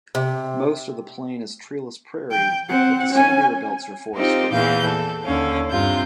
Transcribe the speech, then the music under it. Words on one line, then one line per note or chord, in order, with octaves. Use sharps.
Most of the plain is treeless prairie, but the sandier belts are forested.
C3
G5
C4 F#5
C#4 G#5
C4 D#4 F4 G4
E2 A#2 E3 F5 G6
A4
D#2 D3 C#4 F5
G2 C3 F4 G6